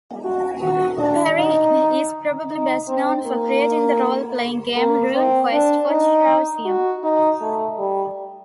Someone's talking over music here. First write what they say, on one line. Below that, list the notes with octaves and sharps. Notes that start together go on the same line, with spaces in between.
Perrin is probably best known for creating the role-playing game "RuneQuest" for Chaosium.
F#4
F#4
D4
D#4
D#4
C4
A#3
A#3
C4
D4
D#4
F#4
D#4
A3
G3